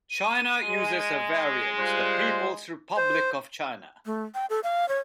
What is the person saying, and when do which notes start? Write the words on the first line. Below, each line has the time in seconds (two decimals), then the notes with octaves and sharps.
China uses a variant, "The People's Republic of China".
0.10 D#7
0.64 G#3
1.78 G3 F4 C5 F#6
2.97 C5
4.06 A3
4.34 G5
4.50 A4
4.64 F5
4.89 C#5